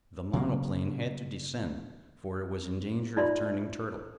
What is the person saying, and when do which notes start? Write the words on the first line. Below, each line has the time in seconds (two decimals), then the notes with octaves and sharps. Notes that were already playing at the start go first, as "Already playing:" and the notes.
The monoplane had to descend, for it was in danger of turning turtle.
0.33 C#3 F#3 A#3
3.17 D#4 F4 D5 E5 B5 C6